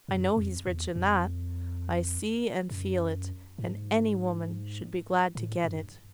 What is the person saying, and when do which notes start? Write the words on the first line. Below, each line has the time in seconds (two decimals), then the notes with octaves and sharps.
I know he's rich in that; I see and feel it; and any woman should be glad to get it.'
0.08 F#2
0.37 F2
0.67 E2
0.96 F2
2.71 F#2
3.58 G#2
5.35 A2
5.64 G2